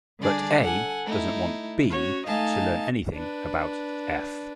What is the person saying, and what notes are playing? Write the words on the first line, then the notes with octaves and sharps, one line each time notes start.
But "A" doesn't want "B" to learn anything about "f".
D3 G3 D4 G#4 D5
A4 F#5 G#5
A3 D#4 E4
C#4 F#4 C#5
A3 D#4 D#5 F5 G#5 A5
D4 B4